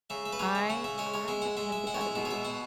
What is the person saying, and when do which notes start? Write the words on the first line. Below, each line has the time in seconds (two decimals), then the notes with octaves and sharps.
I I'm definitely gonna give that a read.
0.10 C#3 E5
0.26 E5
0.33 B4
0.39 C#3 C#5
0.55 E5
0.70 C#3 F#5
0.84 E5
0.98 G#3 C#5
1.14 C#5
1.28 G#3 E5
1.42 F#5
1.57 G#3 E5
1.72 E5
1.87 G#3 F#5
1.95 C#5
2.01 E5
2.15 B2 E5
2.25 C#5
2.31 E5
2.45 B2 F#5